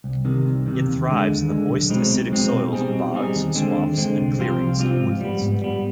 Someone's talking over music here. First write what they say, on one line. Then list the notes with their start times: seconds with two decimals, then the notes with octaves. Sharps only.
It thrives in the moist, acidic soils of bogs, swamps, and clearings in woodlands.
0.04 C2
0.25 C3 D#3
0.45 C2
0.66 C3 D#3
0.86 D#2
1.08 D3 G#3
1.28 D#2
1.49 D3 G#3
1.70 B1
1.90 B2 G#3 C4 D#4
2.11 B1
2.31 B2 G#3 C4 D#4
2.52 B2
2.73 G3 C4 D#4 G#4
2.93 B2
3.14 G3 C4 D#4 G#4
3.35 D#2
3.55 D3 G#3 C4
3.75 D#2
3.97 D3 G#3 C4
4.17 C2
4.38 C3 F3 C4 F4
4.58 C2
4.79 C3 F3 C4 F4
5.00 G#2
5.21 G3 B3
5.41 G#2
5.62 G3 B3